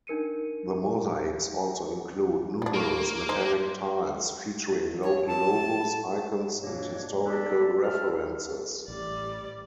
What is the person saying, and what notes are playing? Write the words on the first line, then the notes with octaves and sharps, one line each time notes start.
The mosaics also include numerous metallic tiles featuring local logos, icons and historical references.
D4 D#4 A#4 C#7 D#7
G3 D4
A#3
D#4 C5
C#5
A5
G2 B2 E3 A#3 D4 C#5
B3 G4 A4 B4 D5 A5
A4 D5 E5 F6
A1 A2 G3 D5